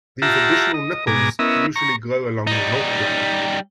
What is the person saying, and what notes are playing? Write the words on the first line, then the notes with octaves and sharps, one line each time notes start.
These additional nipples usually grow along the milk line.
F4 G4 E5 F#5 A5 A#5
D#5
G#2 B2 G#5 A#5 D6
B3 C#4 E4 A#4 D#5 E5
A#5 C#6
G3 D#4